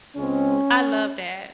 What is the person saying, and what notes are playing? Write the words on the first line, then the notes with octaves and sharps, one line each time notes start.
I love that.
C#2 C#3 G#3 C4 C#4